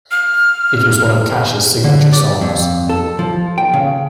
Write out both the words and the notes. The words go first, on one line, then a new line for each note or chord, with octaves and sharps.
It was one of Cash's signature songs.
F6
D3
D5
F2
A4
F3
G5
C#3